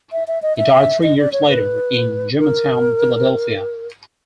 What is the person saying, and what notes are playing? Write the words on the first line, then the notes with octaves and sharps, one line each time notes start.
He died three years later in Germantown, Philadelphia.
E5
E5
D#5
E5
D#5
D5
C#5
B4
A#4